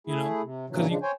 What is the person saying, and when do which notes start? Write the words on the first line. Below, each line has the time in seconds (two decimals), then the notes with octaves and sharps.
You know? 'Cause you
0.07 A3 E4 G#4
0.42 C3
0.70 G2 A#2 C#3 E3 F#3
0.88 C#3 F3 G#3 D4
1.03 C5 C#5 G5 G#5